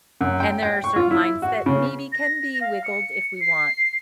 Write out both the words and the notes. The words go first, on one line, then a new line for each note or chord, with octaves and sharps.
and there are certain lines that maybe can be wiggled if we want
F#2
G5
G5
C#6
F4
E4
F#4
C#3
A#6
F5
C#7
C7